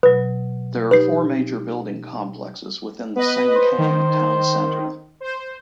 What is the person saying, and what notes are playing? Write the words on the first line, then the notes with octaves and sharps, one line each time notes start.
There are four major building complexes within the Sengkang Town Centre.
B2 F#3 B4
D#4 G4 B4 C7
B3 B4 D#5
C5
D#3
C5